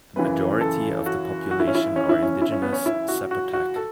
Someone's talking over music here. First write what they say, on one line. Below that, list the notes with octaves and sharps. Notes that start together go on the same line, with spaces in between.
The majority of the population are indigenous Zapotec.
F#2 C#3 E3 B4
A4
F#4
F#4
E4
C#4
E4
C#4
E4
C#4
E4
C#4
B3
C#4
E4
F#4
F#4
F#4
A4